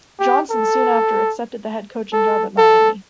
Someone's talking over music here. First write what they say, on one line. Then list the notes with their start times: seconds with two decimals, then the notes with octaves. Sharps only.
Johnson soon after accepted the head coaching job at Miami.
0.19 G4
0.50 A4
2.13 A4
2.58 A4